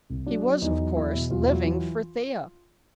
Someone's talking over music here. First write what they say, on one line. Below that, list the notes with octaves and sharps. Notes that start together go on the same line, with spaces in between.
He was, of course, living for Thea.
C2
F#3 D4
F#3
D4
E2 D#4
F#3
E2 E4
B2
E2 F4
E4
F#3 F4
E3